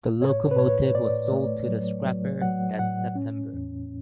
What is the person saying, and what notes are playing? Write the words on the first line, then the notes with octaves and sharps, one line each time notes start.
The locomotive was sold to the scrapper that September.
A2 C#5
B4
A2 C#5
A2 D5
A3
F#3
F#3
F#3 F#5
A2 F#5
C#4
E2